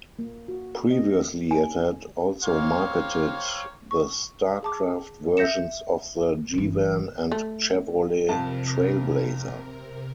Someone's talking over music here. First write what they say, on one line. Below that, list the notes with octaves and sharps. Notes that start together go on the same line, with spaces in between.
Previously, it had also marketed the Starcraft versions of the G-Van and Chevrolet Trailblazer.
A#3
F#4
D#5
G#5
A#3 G4 C5 C#5 F5
C#6
G#4 A5 D6
E5 G6 A#6 C#7 E7
G1 E3
A3
F2 C3 A#4 A5